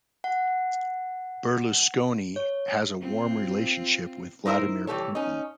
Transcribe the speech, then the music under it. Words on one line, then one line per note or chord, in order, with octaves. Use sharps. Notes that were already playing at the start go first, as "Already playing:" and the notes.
Berlusconi has a warm relationship with Vladimir Putin.
F#5
C#5
C4 F4
D#4 E4 A#4 C5
E3 G3 G4 A4 C#5
C#4 D#4